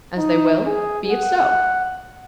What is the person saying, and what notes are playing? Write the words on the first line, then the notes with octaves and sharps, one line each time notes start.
As they will. Be it so.
D#4
G#4
F#5